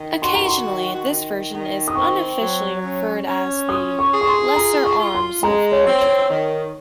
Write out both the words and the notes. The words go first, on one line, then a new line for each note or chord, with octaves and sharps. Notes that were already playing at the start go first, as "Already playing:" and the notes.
Occasionally, this version is unofficially referred as the "lesser arms of Portugal".
Already playing: D#3
F#4 C6
A#5
C6
D#3
D#3
D#3
D#6
C4 C#6
F#3
C#4
C#4
F4 D#6
C#6
G#4
C#6
C6
F4 A#5
C#6
F4
C6
G#3 A#5
C#5
C4
C#5
D#3